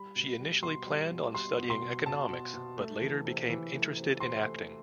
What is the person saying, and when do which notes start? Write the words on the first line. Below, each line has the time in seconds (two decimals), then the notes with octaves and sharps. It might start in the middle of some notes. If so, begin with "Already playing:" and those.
She initially planned on studying economics but later became interested in acting.
Already playing: G3 B5
0.16 B2
0.40 G3
0.63 B2 C6
0.87 G3
1.11 B2
1.34 G3 C6
1.58 B2
1.70 C6
1.82 B2
2.06 B2 A5
2.30 B2
2.54 B2
2.77 A3
3.01 E3
3.25 C3
3.49 E3
3.72 A3
3.97 C3
4.20 C3 C6
4.44 A3